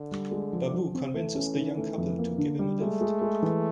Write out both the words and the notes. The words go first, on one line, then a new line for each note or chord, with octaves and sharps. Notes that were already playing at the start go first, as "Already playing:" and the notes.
Babu convinces the young couple to give him a lift.
Already playing: D3
G3
G#3
F3
F3
C4
E3 A3
C#4
D#3
A3
F2
A#3
D3
G3
G#3 A3
G#3
G#3
E3